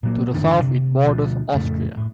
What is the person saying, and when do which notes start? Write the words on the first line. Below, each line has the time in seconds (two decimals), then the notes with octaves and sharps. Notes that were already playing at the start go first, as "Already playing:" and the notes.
To the south it borders Austria.
0.03 A#2 F#3 A#3
0.34 A1 F#2 D3 D#3
0.62 C3
1.06 D2 B2 F3
1.54 F2 A2 C#3 A3
1.97 A2